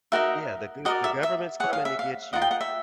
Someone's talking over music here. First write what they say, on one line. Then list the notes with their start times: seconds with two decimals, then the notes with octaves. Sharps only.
Yeah, the the go the government's coming to get you
0.12 D#4 F#4 A#4 D#5 E5
0.85 F#4 A#4 D5 D#5
1.04 E5
1.23 E5
1.60 G#4 C#5 F#5
1.73 F5
1.85 E5
1.99 F5
2.33 F4 A#4 D#5 F#5
2.42 G5
2.51 F#5
2.61 E5